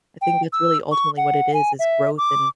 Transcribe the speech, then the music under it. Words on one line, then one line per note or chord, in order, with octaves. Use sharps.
I think that's really ultimately what it is, is growth, and
G5
E6
C#6
F#5
G#5
E5
D6